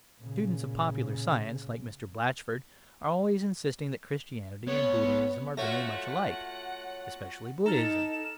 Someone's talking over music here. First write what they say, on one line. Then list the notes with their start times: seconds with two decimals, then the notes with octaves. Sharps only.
Students of popular science, like Mr. Blatchford, are always insisting that Christianity and Buddhism are very much alike, especially Buddhism.
0.20 A#2 C#3
4.67 B3 C#5
5.57 A3 F4 F#4 C#5 F#5 A#6
7.66 D#4 A4 A#5 F6 E7